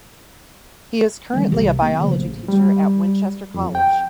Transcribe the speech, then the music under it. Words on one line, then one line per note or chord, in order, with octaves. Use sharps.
He is currently a Biology teacher at Winchester College.
D#3 E3 G3 B3
C2 C3
D#3 A#3
C#3 F3
A1
G3
F2
G5